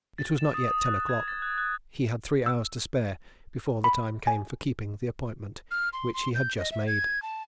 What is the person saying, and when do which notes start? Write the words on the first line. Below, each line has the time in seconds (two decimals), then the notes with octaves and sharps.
It was not yet ten o'clock--he had three hours to spare before the time came for keeping the appointment which he had just made.
0.18 A6
0.38 E7
0.54 D#6
0.68 D#6
0.85 F#6
1.09 G#6
1.28 A6
1.42 F#6
1.58 F#6
2.46 E6
3.84 B5
4.27 G#5
5.71 F6
5.93 C6
6.14 C6
6.35 G6
6.58 D#5
6.71 E5
6.87 G#6
7.22 A5